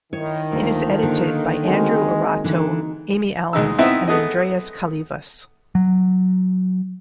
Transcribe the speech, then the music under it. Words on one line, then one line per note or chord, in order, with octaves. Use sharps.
It is edited by Andrew Arato, Amy Allen, and Andreas Kalyvas.
D#3 E4 C#5
D2 F3 A#3
D3 A#3
G#3 C4 F#4
D3 E3 D#4
D2 G#3 D#4 E6
B3 C4 D#4 E4 E5
A3 B3 G#4 D#5
F#3